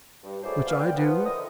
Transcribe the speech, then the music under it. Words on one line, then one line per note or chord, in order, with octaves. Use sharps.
"Which I do."
G2
F#3 A3 E4 G#4 C5 D5
B3 D5 F5
A#2 G5
F3 B3
D3 D#3 F3 A3 D#5 D#6